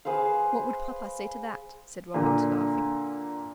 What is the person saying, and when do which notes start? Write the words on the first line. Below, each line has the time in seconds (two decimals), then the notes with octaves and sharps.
"What would papa say to that?" said Robert, laughing.
0.05 G#4 B4 C5 F5
2.14 A#2 D3